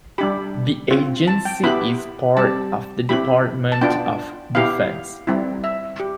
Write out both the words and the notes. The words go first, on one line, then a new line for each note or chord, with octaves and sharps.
The agency is part of the Department of Defense.
G3 D4 G4 B5
C4 F4
A5
G5
B3 E4 G4 B5
G3 C4 G4 A5
C4 E4 G4 B5
A5
B3 D4 F4 G5
B3 E4 G4 F5
G3 C4 E4
E5
G4